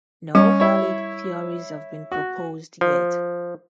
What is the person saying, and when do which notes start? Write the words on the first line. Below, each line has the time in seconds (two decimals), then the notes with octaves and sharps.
No valid theories have been proposed yet.
0.35 G3 C#4
0.60 E4 C#5
2.12 F#4
2.81 F3